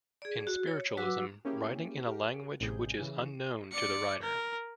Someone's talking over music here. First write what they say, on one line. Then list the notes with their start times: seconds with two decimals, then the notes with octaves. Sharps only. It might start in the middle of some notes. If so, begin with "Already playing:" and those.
In Spiritualism, writing in a language which is unknown to the writer.
0.22 G#4 D5
0.47 F#4
0.67 C#5
0.97 F#3 F#4 B4 D6 E6
1.45 A#3 C#4 E4 G4 G#4
2.07 G4 A#4
2.61 A1 A2 C3 G3 G#4 G6
2.99 C#3 E3
3.72 D5 C#7
4.22 A#4